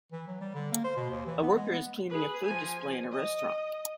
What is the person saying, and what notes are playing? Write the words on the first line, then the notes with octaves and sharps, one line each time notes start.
A worker is cleaning a food display in a restaurant.
E3
F#3
G3
D3
A#3
C5
B2
D#2
E3
B3
G#3
B3
G#4 B4
F3 G#5
D#5